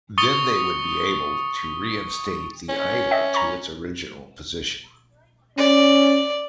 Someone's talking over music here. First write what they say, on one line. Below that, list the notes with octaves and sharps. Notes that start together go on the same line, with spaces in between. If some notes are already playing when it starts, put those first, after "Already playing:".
Then they would be able to reinstate the idol to its original position.
C#6 D#6 A6 C#7 G7
C#4
D#5 E5 G5
A#5 B5 C#6
C#4 D5